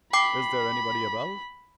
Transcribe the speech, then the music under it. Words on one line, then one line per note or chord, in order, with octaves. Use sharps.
"Is there anybody above?"
G5 B5 D6 C7